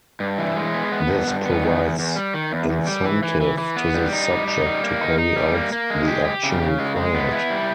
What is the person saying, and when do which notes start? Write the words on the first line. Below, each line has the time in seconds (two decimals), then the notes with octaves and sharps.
This provides incentive to the subject to carry out the action required.
0.20 G2
0.38 E3
0.56 G#3
0.74 B3
0.92 B3
1.09 G2
1.27 G2
1.45 B3
1.62 D#3
1.81 E2
1.99 E2
2.16 G3
2.34 D#3
2.52 E2
2.69 E2
2.87 G3
3.05 E3
3.23 E3
3.41 E3
3.58 E3
3.76 B3
3.94 G3
4.13 D#4
4.30 G3
4.48 D#4
4.66 G3
4.83 A#3
5.01 D#4
5.18 D#4
5.36 G3
5.54 A#3
5.72 A#3
5.90 G#3
6.08 G4
6.25 G4
6.43 C#3
6.62 C#3
6.79 G#3
6.96 G#3
7.14 B3
7.32 E4
7.50 G3